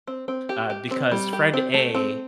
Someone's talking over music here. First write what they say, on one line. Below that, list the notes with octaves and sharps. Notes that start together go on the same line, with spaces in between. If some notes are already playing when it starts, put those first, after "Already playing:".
uh, because friend A
C4
C4
G4
G4
C4
G3
G4
C4
A3
C4